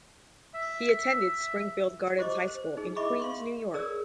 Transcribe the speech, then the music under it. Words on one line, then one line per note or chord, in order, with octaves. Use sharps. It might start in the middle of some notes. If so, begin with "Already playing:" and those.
He attended Springfield Gardens High School in Queens, New York.
E5
F4 G4 C5 D#5 D6
C5
D#4 G#4
E4 D#5 E5 B5 C#6 D6
F5 C6 C#6
G#4 A#4 C#5 D5 E6